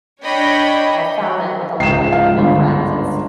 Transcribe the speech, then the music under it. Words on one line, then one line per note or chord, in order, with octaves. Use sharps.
I've found that with a lot of my female friends, it's
D4 C#5 D#5 G5 B5
C#2 G#2 C7 E7
F5
G1